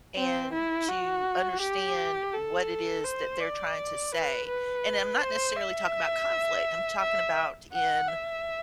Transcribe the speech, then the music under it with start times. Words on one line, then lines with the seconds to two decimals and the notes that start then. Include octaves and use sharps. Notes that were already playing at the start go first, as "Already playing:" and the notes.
and to understand what it is that they're trying to say. And I'm not necessarily talking about conflict, I'm talking about in,
0.17 C4
0.53 E4
0.89 F#4
1.61 G4
2.33 A4
3.04 C5
3.41 D5
4.12 B4
4.48 B4
5.21 C5
5.56 E5
7.01 E5
7.73 F#5
8.08 E5